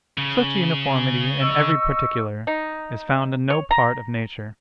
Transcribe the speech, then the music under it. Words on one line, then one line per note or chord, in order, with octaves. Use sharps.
Such a uniformity in every particular, is found in no part of nature.
C#3
D#5 C#6 E6
D#4
C#5
A#5